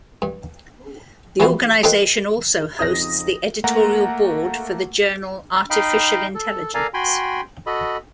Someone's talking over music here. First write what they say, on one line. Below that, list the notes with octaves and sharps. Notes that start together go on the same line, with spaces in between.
The organization also hosts the editorial board for the journal Artificial Intelligence.
G2
E3 F3 G3 B3 C4 F#4
A#3 D#4 A4 B4 C5 G5
F2 C#3 D#4 D#6 A#6
A3 A#3 F#5 A#5
D#4 D#5 F5 G5 B5
A4
A4 A#4 D5 F5 G#5 A#5
F#4 G5 G#5 B5 C6
F#4 A4 D#5 B5